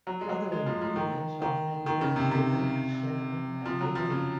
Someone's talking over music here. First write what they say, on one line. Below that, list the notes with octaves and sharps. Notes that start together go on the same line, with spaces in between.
Other ingredients often include sugar, cinnamon, and vanilla.
F#3
G#3
F#3
G#3
F3
F3
D#3
D#3
D#3
C#3
C3
C3
F3
F#3
F3
C#3